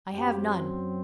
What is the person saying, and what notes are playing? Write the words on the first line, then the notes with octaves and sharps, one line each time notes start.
"I have none."
F#2 F#3 C4 G4